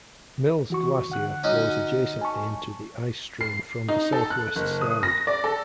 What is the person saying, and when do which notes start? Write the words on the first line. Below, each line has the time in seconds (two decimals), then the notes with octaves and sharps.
Mills Glacier flows adjacently into the ice stream from the southwest side.
0.70 E3 F#4 C#6
1.10 D3 F#5 F#6
1.44 C#4 D#4 F#4
2.21 G#5 A5 C#6
3.41 C7
3.88 D#4
4.13 A4
4.30 F#6
4.56 F#1
4.81 D#6
5.03 A#6
5.27 D5
5.44 A4